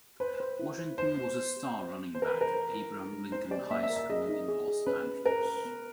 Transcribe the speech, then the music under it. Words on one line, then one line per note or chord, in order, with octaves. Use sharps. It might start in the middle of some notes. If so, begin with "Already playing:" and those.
Washington was a star running back at Abraham Lincoln High School in Los Angeles.
B4 C5
C5
E4
C5
D#4 C5
B3
B3
G4
C4
C4
E3 C5
A#4
B4
E3
A#4
A4
E4
A4
G#3
D#4 C5
G4 D5
A#3 E5
E5
A#4
E5
G#4 D#5
D#4
G#4
G#4
C#4 B4
C#4
C#4 A#4
B4
B3